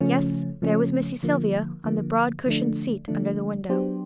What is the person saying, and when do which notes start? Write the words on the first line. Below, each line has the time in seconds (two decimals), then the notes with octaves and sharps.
Yes, there was Missy Sylvia on the broad cushioned seat under the window.
0.01 C#3 F3 A3 C#4
0.62 C#3 F3 A3 C#4
1.23 D3 F3 A#3
1.85 D3 F3 A#3
2.46 D3 F3 A3 D4
3.08 D3 F3 A3 D4
3.69 F#3 B3 D4 G4 C5